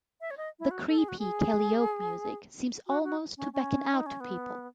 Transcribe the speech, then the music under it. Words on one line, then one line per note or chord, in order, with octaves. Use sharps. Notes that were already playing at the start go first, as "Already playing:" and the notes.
The creepy calliope music seems almost to beckon out to people.
E5
C#5
D#5
E4
F#4
A4
G#4
F#4
G#4
F#4
F#4
C#4
C#4
D#4
C#4
B3